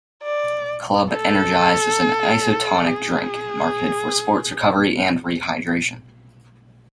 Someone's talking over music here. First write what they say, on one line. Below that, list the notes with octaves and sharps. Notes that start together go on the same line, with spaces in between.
Club Energise is an Isotonic drink, marketed for sports recovery and rehydration.
D5
A4
G#4